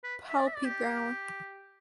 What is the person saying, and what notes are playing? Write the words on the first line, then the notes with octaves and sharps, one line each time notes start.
Palpi brown.
B4
E5
D5
E5
D5
G4